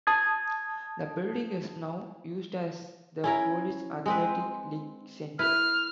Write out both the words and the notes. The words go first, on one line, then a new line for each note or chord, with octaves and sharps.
The building is now used as the Police Athletic League Center.
A5 D#6 G#6
C#4 E4 A#4
G#3 C4 B4
E4 B4 F6